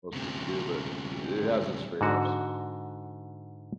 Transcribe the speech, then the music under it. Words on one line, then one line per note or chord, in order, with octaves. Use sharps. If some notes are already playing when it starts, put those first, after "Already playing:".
most people do, but, i it has its trade-offs.
D2 C3
G#2 D3 F#4